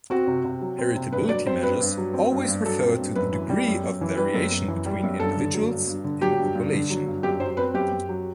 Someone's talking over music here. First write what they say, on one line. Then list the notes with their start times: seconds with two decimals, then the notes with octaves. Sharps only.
Heritability measures always refer to the degree of "variation between individuals in a population".
0.10 C4 F#4
0.27 C3
0.45 C3
0.61 F#3
0.79 C4
0.96 C3
1.12 G2 B4
1.29 F#3 D5
1.46 C4 C5
1.63 G2 B4
1.81 G2
1.97 F#3
2.14 C4
2.32 G2
2.48 G2
2.65 F#3 A4
2.83 C4
2.99 G2
3.15 F#2 B4
3.33 E3
3.49 G3
3.67 F#2
3.84 F#2
4.01 E3
4.17 G3 B4
4.34 F#2
4.52 F#2
4.68 E3
4.86 G3
5.03 F#2
5.20 G2 A4
5.37 D3
5.54 F#3
5.71 G2
5.87 G2
6.04 D3
6.22 F#3 G4
6.39 G2
6.55 G2
6.73 D3
6.90 F#3
7.06 G2
7.23 F#2 G4
7.40 F#3 C5
7.57 C4 B4
7.74 F#2 G4
7.92 F#2
8.09 F#3